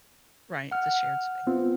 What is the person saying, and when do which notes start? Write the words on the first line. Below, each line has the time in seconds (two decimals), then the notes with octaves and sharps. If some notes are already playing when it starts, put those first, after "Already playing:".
Right. It's a shared spa
0.71 F#5 F6
1.47 B3 C4 F4